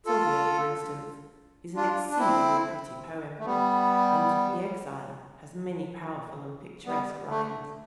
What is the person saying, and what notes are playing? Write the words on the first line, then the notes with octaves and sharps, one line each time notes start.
Sylvia, for instance, is an exceedingly pretty poem, and The Exile has many powerful and picturesque lines.
F4 A4
D4 F4
D4
C4 E4
A3
G3 B3
G3 B3
A3